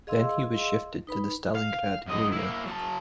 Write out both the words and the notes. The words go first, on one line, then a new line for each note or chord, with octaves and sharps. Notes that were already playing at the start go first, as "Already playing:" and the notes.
Then he was shifted to the Stalingrad area.
G#4 D#5 F5 C6 E6
D#4 B4 B5
F5
F#2 D#5
A#3 E4
F#3 A5